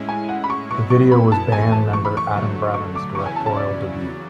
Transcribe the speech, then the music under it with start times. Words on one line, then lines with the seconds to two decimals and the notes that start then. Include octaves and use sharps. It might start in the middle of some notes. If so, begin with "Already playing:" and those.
The video was band member Adam Bravin's directorial debut.
Already playing: A2 G#3 C#4 E4
0.09 G#5
0.29 F#5
0.44 B5
0.50 C#6
0.70 B2 F#3 B3 E4 C#6
0.90 C#6
1.12 B5
1.32 A5
1.52 F#2 E3 A3 G#5
1.72 A5
1.93 C#6
2.05 B5
2.17 C#6
2.34 D3 F#3 A3
2.74 C#6
2.95 D6
3.15 E2 C#3 F#3 C#4 E4 C#6
3.26 G#5
3.36 A5
3.46 A5
3.57 D5
3.98 E2 C#3 F#3